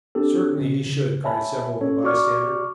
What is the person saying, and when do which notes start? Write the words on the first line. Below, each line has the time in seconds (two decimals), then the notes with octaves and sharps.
"Certainly he should!" cried several of the bystanders.
0.15 C4 D4 G4 A4
0.58 C#3 C#4
0.86 C#3
1.24 C#5 E5 G#5 A5 B5
1.81 C#4 A4 C#5
2.04 F#4 D5 C#6 D6 F6